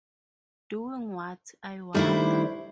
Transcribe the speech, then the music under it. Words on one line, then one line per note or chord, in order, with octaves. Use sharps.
Doing what, I wonder.
D#3 G3 A3 D4 E4 C5